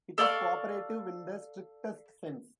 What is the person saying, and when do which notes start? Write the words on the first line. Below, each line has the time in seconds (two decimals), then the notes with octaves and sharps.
It is co-operative in the strictest sense.
0.18 A4 D5 F5 C#6